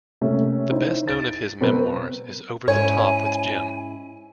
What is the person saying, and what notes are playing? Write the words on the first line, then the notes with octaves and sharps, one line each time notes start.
The best known of his memoirs is "Over The Top With Jim".
C3 A3 A#3 C#4
D#4 E4 C5
A6 D7
B2 F#3 C4 A#4 B4
G#2 C#4 E4 C#5 G#5